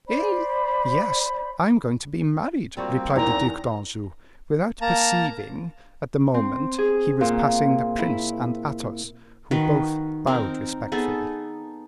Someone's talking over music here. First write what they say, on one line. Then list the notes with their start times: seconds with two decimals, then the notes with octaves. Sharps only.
"Eh! yes, I am going to be married," replied the Duc d'Anjou, without perceiving, at the moment, he was passing the prince and Athos, who both bowed respectfully.
0.08 C5 D5 B5
2.77 G3 A#3 C4 F4 F#4
3.16 E2 D#4 A#4 A#5
4.82 A#3 A5 A#5
6.34 C4
6.78 G#4
7.21 A#2
7.98 E4
9.51 D#3 F#4 B4
10.27 C4 D#4 A#4
10.92 B3 D#4 G#4 A4